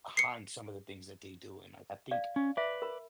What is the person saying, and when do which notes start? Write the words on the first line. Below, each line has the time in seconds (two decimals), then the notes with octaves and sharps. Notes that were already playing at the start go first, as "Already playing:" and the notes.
behind some of the things that they do, and I I think
0.17 C7 C#7
2.11 D5 F5
2.36 C#4
2.57 B4 D5 E5
2.82 A#4 B5